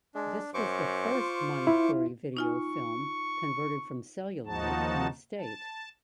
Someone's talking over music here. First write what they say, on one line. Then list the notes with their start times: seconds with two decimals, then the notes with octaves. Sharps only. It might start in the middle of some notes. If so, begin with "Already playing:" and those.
This was the first Manipuri video film converted from celluloid in the state.
0.15 G#3 D4
0.54 F#2 C5 C#6 D6
1.15 F4
1.67 E4
2.37 D#4 F4 G#5 C#6
4.46 D#2 F3 D#4 F#4 A5
5.38 A5